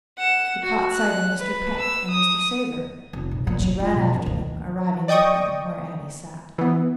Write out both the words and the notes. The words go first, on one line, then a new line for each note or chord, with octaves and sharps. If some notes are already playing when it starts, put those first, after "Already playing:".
She caught sight of Mr. Peck and Mr. Savor, and she ran after them, arriving with them where Annie sat.
F#5 E7
F#4
F#6
B4
E6
D#6
F1
B1
A#2
F#3
F4
B2
F#2
D2
D5 D#5 G5 C#6 D#6
E3 B3